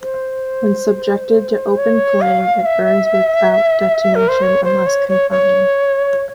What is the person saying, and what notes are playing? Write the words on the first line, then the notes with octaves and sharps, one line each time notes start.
When subjected to open flame, it burns without detonation, unless confined.
C5
C#5
F5
E5
A#4
C5
C#5
C5
C#5
C#5
C#5